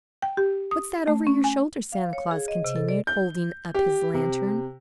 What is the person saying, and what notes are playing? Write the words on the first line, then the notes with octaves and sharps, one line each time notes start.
"What's that over your shoulders?" Santa Claus continued, holding up his lantern.
G5
G4
D#6
A3
C#4
G#5
F5
C#5
G#4
D#5
C3
A4
D5
G6
G4
C3